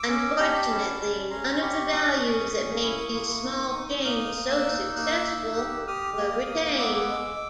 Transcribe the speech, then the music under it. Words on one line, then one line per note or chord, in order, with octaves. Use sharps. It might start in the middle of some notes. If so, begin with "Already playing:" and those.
Unfortunately, none of the values that made these small chains so successful were retained.
Already playing: D6 E6
C#4
G4 A5 B5
C#4
C#4
C#4 A#5 C6
G4 B5 C#6
C#4 C#6 D#6
C#4
C#4
E4
A#3
D#4
D#4
A#3 D#6 F6
A#3
E6 F#6
D#4
A#3 E6 F#6
D#4
G4
G4 D#6 F6
A#3
A#3
B3 D6 E6
G#3